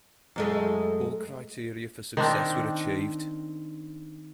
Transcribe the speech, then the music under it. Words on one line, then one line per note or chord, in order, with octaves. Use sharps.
All criteria for success were achieved.
F#2 G#3 A3
D#3 C4 D4